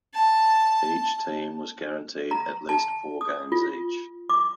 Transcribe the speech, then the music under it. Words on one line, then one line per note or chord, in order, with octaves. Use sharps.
Each team was guaranteed at least four games each.
A5
A#5
A5
D#6
F4
D6